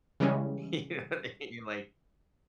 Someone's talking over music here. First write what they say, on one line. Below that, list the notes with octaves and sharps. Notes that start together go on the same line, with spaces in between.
You know what I mean? Like
C#3 E3 G3 G#3 C#4